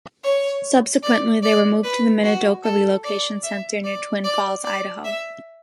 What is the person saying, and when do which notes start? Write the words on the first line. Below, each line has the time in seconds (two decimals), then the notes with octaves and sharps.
Subsequently, they were moved to the Minidoka relocation center near Twin Falls, Idaho.
0.23 C#5
1.03 D5
1.43 D5
1.83 B4
2.23 F#4
2.64 A4
3.04 D5
3.43 E5
3.84 D5
4.24 D5
4.64 D5
5.04 E5